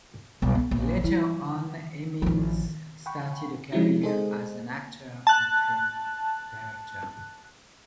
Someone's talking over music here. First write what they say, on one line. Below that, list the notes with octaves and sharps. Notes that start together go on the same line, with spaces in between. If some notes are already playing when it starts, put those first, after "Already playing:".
Later on, Hemmings started a career as an actor and film director.
B1 G2
B3
A#1
E3
A1 F3
F#5 G5 B5 C#6
F3 G#3 C#4 D#4 E4 F#4
G#3 D#4 G#4 A4 C5 D#5
A5 F#6